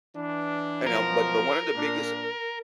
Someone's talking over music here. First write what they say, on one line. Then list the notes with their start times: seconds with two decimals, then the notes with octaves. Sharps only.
and, um but but one of the biggest
0.15 E3 D4
0.87 F#2 B2 F3 A#4
1.75 A#2 D4